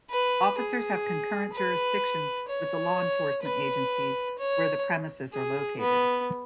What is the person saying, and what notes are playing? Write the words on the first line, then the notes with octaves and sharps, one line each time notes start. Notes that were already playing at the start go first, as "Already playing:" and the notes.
Officers have concurrent jurisdiction with the law enforcement agencies where the premises are located.
B4
G#4
B4
C#5
B4
C#5
G#4
B3